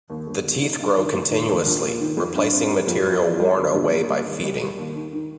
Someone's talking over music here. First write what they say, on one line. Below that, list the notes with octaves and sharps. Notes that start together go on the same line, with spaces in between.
The teeth grow continuously, replacing material worn away by feeding.
D#2
G1
G1
D#4
G2
D#3
F1
D#3
D#2
A#1
A#2
D#3
F2
G2
C4
G3
F2
F3
F3
G3
G1
A#1
A#3
G3
D#2
G3
G3
D#2
D#3
D#3